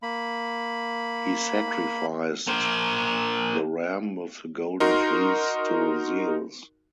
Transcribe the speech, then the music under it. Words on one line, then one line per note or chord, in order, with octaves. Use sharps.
He sacrificed the ram with the golden fleece to Zeus.
A#3 B5
A#3 C5
D#4 F#4 A#4 C6